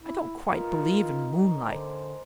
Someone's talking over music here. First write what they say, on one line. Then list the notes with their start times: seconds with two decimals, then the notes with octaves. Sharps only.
I don't quite believe in moonlight.
0.02 E4
0.50 D#4 F4 A#4 B4
1.63 D3 C5 G#5 D6